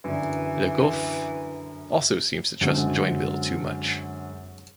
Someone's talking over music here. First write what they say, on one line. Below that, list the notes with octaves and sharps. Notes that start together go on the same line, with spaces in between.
Le Goff also seems to trust Joinville too much.
F#2 D3 E3
F#2 D3 F#3 G#3 C4